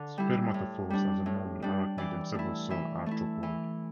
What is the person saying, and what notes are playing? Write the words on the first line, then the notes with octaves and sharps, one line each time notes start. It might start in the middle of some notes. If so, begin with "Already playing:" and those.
Spermatophores are the norm in arachnids and several soil arthropods.
Already playing: D3
G3 E4
A2
G3 D4
A2
G3 D4
E3 D5
A3 E4
E3 E5
A3 E4
E3